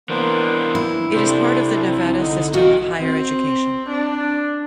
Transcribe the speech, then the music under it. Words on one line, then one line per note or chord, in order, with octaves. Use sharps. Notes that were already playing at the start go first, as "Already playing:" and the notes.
It is part of the Nevada System of Higher Education.
E3 A#3 B3 D4 C5
E4
C2 C3 D4 A4 C5
D3 D#4
E3 F#4 D#5 F5
C4
D4